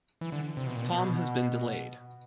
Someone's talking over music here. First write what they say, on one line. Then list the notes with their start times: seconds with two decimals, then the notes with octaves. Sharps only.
Tom has been delayed.
0.21 E3
0.32 D3
0.57 C3
0.67 B2
0.76 A#2
0.85 B2